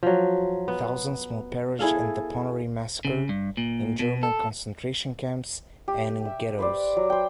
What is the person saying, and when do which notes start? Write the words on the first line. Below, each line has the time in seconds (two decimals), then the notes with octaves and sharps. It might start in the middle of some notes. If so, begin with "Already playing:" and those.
Thousands more perished in the Ponary massacre, in German concentration camps, and in ghettos.
0.03 F3 F#3
0.68 B3
1.79 E4 G#4 A4 F5
3.05 C#3
3.29 G2
3.57 A#2
3.99 B2
4.23 A4
5.88 G4
6.25 E5
6.59 B4 C5 D5
6.97 F#3
7.10 C5 G5